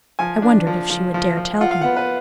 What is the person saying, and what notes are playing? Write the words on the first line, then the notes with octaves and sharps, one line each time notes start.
I wondered if she would dare tell him.
F3 G#5
D4
F3
F3
F3
F3
F4 F#5
F5
B3 F#5
B4